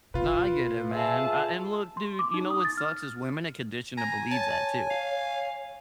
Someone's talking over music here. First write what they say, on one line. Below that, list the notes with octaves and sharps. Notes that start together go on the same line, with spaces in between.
Nah, I get it man, uh, and look, dude, you know what sucks is women are conditioned to believe that, too.
B2 F4 B4
G#4 E5 A5
C6
D6
D#4
D#6
A6
F6
G#5 A#5
C#5 A5
F5